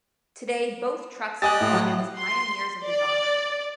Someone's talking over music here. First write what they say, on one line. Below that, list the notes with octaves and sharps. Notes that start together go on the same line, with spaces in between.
Today, both trucks are regarded as pioneers of the genre.
G4 D#5 G#5 D#6 F#6 A6
A2
F#3
C6
D5